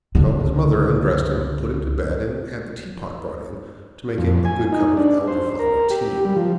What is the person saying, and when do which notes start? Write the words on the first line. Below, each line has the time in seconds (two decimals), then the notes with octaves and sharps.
So his mother undressed him, put him to bed, and had the tea-pot brought in, to make him a good cup of Elderflower tea.
0.15 C#2 D3
4.18 F2
4.45 G#5
4.72 D#4
4.97 D4
5.28 C5
5.59 A#4
5.90 G4
6.25 G3
6.36 F3